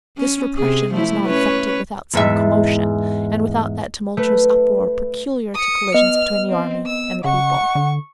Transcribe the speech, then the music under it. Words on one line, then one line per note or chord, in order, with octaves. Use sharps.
This repression was not effected without some commotion, and without that tumultuous uproar peculiar to collisions between the army and the people.
C#4
C3 G#4
F3 A3 E4
C#4 B4 C#5
E2 G#2 E5
A3 B4
D#6 C#7
B3 D#5 F6
C4
E6
C#3 F#5 C#6
D3